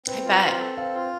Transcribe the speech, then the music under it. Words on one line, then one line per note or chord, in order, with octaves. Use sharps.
I bet.
C4 B4
F4
C4
A4
C4 F5
F4